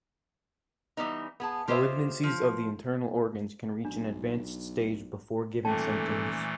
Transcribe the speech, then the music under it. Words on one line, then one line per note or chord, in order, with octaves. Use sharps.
Malignancies of the internal organs can reach an advanced stage before giving symptoms.
E3 F3 G3 B3 D#4
B3 G#4 A5
F4 G4 C5 C#5 D#5 E5
F3
B1 D4
D#1 A#2 E3 A3 A4 G5 A5